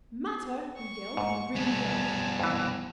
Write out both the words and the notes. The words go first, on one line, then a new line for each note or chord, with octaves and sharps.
"Matter!" he yelled; he really yelled.
C#6
G#2
B2 G3 G#5 A5
F2 E3